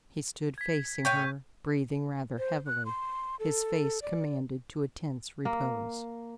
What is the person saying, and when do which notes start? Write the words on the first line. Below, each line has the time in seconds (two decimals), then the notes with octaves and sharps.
He stood facing her, breathing rather heavily, his face commanded to a tense repose.
0.58 G#6 B6
1.05 A2 C#5 G5 C#6 G6 D#7
2.38 C5
2.67 F#6
2.86 C6
3.40 A4
4.02 D5
5.45 A#3